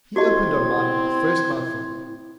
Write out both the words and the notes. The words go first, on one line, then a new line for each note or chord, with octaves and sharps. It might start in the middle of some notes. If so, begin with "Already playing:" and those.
He opened on Mike with the first mouthful.
C4 E4 F#4 G4 D#5 C6 G#6